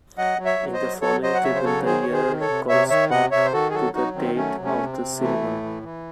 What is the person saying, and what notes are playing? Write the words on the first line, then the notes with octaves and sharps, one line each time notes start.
In the following table, the years correspond to the date of the ceremony.
F#3 D#5 F#5
F#3
C#5 E5
F#3
C5 D#5
F#3
F#3 A4 C#5
F#3 C5 D#5
F#5
C#3 C#5 E5
C5
F#3 A4 C#5
D#3 G#4 C5
D#3 C#5
G#4 C5
D#3
A4 C#5
C3
C3 C#5 E5
D#3 C#5 E5
C3 D#5 F#5
C3 C#5 E5
C5
D#3 F#4 A4
G#4
F#3 F#4 A4
F#3 D#4 F#4
D#3 C4
F#3 A3 C#4
C3
A3 C#4
C3
C4
C3
E3 A3
A2
E3
E3